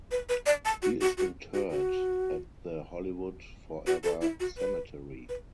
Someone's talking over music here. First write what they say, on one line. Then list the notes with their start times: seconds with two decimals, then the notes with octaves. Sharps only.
He is interred at the Hollywood Forever Cemetery.
0.11 B4
0.29 B4
0.46 D5
0.65 A5
0.82 F#4
1.01 F#4
1.18 F#4
1.54 F#4
1.71 F#4
3.87 F#4
4.04 A4
4.21 E4
4.40 F#4
4.58 B4
5.29 B4